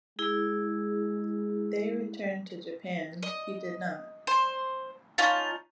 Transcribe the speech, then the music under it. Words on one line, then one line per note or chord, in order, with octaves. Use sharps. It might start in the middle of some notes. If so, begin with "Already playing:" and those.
They returned to Japan; he did not.
G#3 E4 G#4
D#5
C5
C#4 D#4 F4 A5